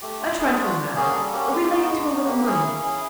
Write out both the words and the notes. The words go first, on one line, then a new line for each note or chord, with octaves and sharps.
A trifling matter, relating to a little money.
A3 G4
D4 F4
A3 G#4
D4 F4 F#4
G3 G4
A#3 C#4 F#4 G#4
G3 A4
A#3 C#4 F#4 G4
G#3 G4
G4
B3 D#4 F#4
G#3
B3 D#4
A#3 G4
C#4 E4 G#4
A#3
C#4 E4